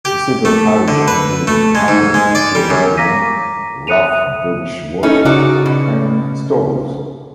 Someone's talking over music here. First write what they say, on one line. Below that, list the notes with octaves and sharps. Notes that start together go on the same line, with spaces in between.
The civil parish includes the hamlets of Clays-Green, Roughbirchworth and Storrs.
G4
A3
D3
B4
A3
G#3
G#2
G#3
D5
G3
F#2
F5 A#5 D6 A#6 B6 D#7
E5 D#6 F#6 C#7 D#7 F7
C#4 D#4 E4 A4
C#3 D#4 F#4 D5
B2